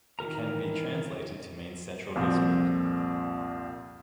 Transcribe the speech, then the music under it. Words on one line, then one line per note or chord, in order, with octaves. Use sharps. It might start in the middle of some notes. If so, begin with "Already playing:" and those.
It can be translated to mean central district.
D#3 E3 A#4 A#5
C2 F2 A#2 A#3 C4